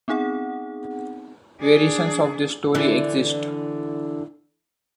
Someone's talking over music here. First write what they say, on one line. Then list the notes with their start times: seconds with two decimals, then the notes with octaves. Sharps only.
Variations of this story exist.
0.08 B3 C4 D#4 G#4 F#5
1.60 D4 G#4
2.75 D3 E3 D4